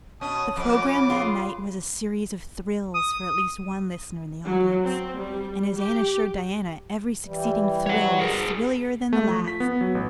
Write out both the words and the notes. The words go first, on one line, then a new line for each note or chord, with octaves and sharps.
The program that night was a series of "thrills" for at least one listener in the audience, and, as Anne assured Diana, every succeeding thrill was thrillier than the last.
B2 C#4 A5 D#6
F2 C#4 B5 D6
F4 G#4
D#6
F#3
C4
G3
G4
E3 G3
C#5 F#5
G#4 A#4
A3
F3
B6
B3
F#3
A1